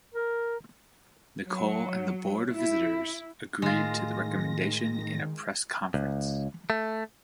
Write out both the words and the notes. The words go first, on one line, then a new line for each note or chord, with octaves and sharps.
Nichol and the Board of Visitors agreed to the recommendation in a press conference.
A#4
F#3
E4
A2 D#3 G#3 F4 A#6
C#2
A3